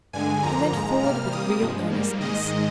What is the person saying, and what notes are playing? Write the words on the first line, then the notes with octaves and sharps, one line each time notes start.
He leant forward, with real earnestness.
G2 D3 G#3 G#5
F2 D3 F3 A#3 A#5
G#2 F3 G#3
C3 G3 A#3 F6
C3 G3 A#3 D#6
G2 F3 G#3
G#2 G3 A#3
G#2 D#3 G#3 D#5